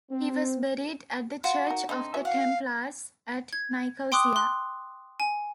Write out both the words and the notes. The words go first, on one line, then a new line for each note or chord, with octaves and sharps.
He was buried at the Church of the Templars, at Nicosia.
C4
F4 F#4
D#4 A#4
D3 C4 D#4
E3 F#4 E5
F5 F#5
G#6
G5 C6 D6 D#6 F#6
C6 F#6
G#5